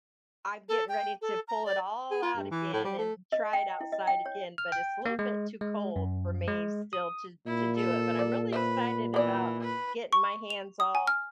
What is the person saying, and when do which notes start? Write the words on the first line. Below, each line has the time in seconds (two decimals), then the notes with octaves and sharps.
I'm getting ready to pull it all out again and try it outside again, but it's a little bit too cold for me still to to do it but I'm really excited about getting my hands all
0.68 A4
0.88 G5
1.21 A4
1.48 A#5
1.65 D5
2.11 G#4
2.22 F4
2.36 G2
2.51 E3
2.73 A2
2.84 G3
2.98 A3
3.32 D#5
3.53 G5
3.81 E4
3.92 D#5
4.07 G5
4.26 C#5
4.58 F6
4.72 G5
5.05 A#3
5.19 G#3
5.61 G#3
5.96 F#2
6.48 G#3
6.93 D#6
7.46 A#2 E4
7.77 A4
8.19 D5
8.52 B4 C5 E5
9.14 E3 B3 D5
9.63 B4
10.13 C#6
10.50 F7
10.80 D#6
10.95 G#5
11.07 F6